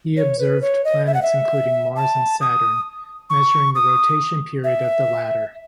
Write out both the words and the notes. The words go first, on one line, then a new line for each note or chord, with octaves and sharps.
He observed planets including Mars and Saturn, measuring the rotation period of the latter.
C#5
B4
C#5
D#5
E5
F#5
E5
A5
D#6
C#6
D#6
E5